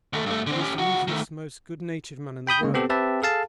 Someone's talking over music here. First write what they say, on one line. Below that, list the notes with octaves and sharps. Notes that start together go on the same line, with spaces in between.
He is the easiest, most good-natured man in the world.
D#2 A3
G2 A3
D3 C4
C#4 G4
C#2 F#4
D#3 A3
G5 B5 D#6 G6
C#3 G#3 A#3
B3 C4 G4 A4
C4 G4 B4 E5 A5
G#4 A4 F5 A5